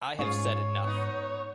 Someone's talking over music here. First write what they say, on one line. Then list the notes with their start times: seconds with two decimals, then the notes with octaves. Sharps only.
I have said enough.
0.19 G#2 C#4 F4 G#4 C#5
0.84 B3 D#4